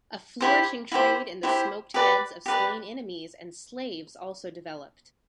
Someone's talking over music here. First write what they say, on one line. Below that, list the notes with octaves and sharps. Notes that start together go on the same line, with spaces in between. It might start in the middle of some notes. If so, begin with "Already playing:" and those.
A flourishing trade in the smoked heads of slain enemies and slaves also developed.
E4 G4 C5
E4 G4 C5
E4 G4 C5
G4 B4 D5
G4 B4 D5